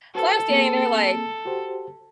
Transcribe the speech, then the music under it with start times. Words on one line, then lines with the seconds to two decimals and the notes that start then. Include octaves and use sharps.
So I was standing there like,
0.15 F#4 A4 B4 C5
0.49 A#3 C4 G#4
1.45 F#4 G4 C5